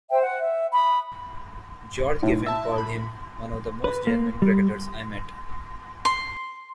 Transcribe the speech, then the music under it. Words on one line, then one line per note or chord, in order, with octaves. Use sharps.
George Giffen called him "one of the most genuine cricketers I met".
C5 E5 G5
F#5
E5
B5 D#6
B1 A2
E5 A5
B5
B4
A#3
G3
C6